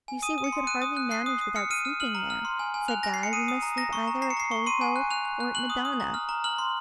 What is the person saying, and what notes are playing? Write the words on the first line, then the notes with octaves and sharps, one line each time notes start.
'You see we could hardly manage without sleeping there,' said Guy: 'we must sleep either at Colico, or at Madonna.
G#5
D#6 D#7
D#6
C#7
C6
F#6 D#7
D#6
F#6
F#6 C7
D#6
D#6
F6 C#7
F6 D#7
F6
F6 F#7
A#5
F6
C6
G#5
G#5
F#6 F7
G#5 A#6
G#5 C7
C#7
D#6 D#7
D#6
A#5
A#5 A#6
C#6
A#5
A#5 C7
C#7
A#5 C7
C#6
C6 D#7
G#5
F#6
F#6 F7
F#6
F#6
F#6 F#7
D#6
D#6
A#5
F6
A#5
F6 F#7
C6